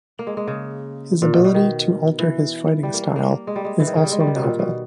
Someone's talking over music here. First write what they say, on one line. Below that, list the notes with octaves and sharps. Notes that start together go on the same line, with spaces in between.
His ability to alter his fighting style is also novel.
A#3
G#3
G#3
C#3
A#2
B2
B2
D#3
E3
G3
A#3
A#3
G#3
G3
G#3
E3
D#3
C#3
G3
G#3
G3
D#3
B2
A#2
B2